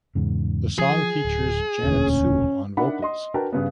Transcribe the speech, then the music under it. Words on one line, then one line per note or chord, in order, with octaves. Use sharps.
The song features Janette Sewell on vocals.
E2 G#2 C#3
F3 G#4
D1
E1 D2 A#2 C#4
D4 D#4 A#4 E5 F#5 B5
D#5 C6
D4 F#4 A#4 B4 G5 A5
G2 C#3 B3